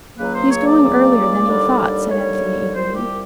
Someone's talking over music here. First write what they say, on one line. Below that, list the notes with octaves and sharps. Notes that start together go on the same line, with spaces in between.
'He's going earlier than he thought,' said Anthea eagerly.
C#2 C#3 F#3 A#3 B4
C5
C#5
D5
C#2 C#3 F#3 A#3
D#2 D3 G3
D#2 D3 G3 C#5
C2 A#2 G3 C4 C5
G4